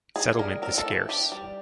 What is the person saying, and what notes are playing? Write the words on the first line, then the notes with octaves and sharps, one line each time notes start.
Settlement is scarce.
D#4 G#4
G3 A#4
C4 A#4
A4
E3
D4 G4
G3